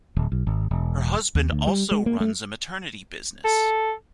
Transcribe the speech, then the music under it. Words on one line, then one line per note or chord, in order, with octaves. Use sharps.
Her husband also runs a maternity business.
D1
B1
G#1
E1
D#2
D2
G3
G#3
A#3
A3
A4